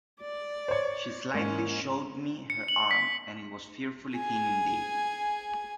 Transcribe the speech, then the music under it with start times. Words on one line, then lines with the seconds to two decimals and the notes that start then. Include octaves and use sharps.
She slightly showed me her arm, and it was fearfully thin indeed.
0.21 D5
0.68 C5 C#5
1.34 G#2 A#3 C#4
2.50 C#7
2.68 F#7
2.91 B6
4.16 G#4 G#5